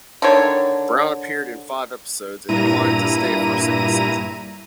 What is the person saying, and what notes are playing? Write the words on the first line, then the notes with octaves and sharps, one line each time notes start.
Brown appeared in five episodes and declined to stay for a second season.
D3 D#3 C#5
G2 A#2 E4 A#5 D#7